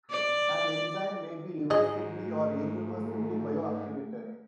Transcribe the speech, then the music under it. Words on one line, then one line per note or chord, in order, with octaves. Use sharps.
An enzyme may be reversibly or irreversibly bioactivated.
D5
G#2 G#4 D#5
A3